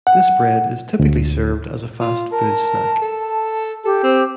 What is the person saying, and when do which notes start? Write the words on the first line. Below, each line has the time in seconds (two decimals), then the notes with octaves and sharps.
This bread is typically served as a fast food snack.
0.07 F#5
0.99 D2
2.01 F4
2.32 A#4 A5
3.01 A4
3.85 G4 A4
4.03 C4